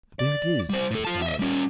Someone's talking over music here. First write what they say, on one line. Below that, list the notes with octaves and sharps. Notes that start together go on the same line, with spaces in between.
"There it is!" I cried.
D5
G3 C5
A2 A4
F4 A5
D#5 E5
G3 C#4